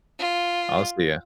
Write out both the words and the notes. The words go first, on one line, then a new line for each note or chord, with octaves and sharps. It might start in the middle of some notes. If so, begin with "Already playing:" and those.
I'll see ya.
F4